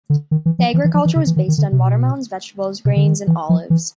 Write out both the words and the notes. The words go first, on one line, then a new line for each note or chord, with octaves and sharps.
The agriculture was based on watermelons, vegetables, grain and olives.
D3
D#3
E3
F3
E3
E3
F3
E3
C#3
E3
D#3
D#3
D3
C3
B2
C3
D3
D#3
E3
F3
E3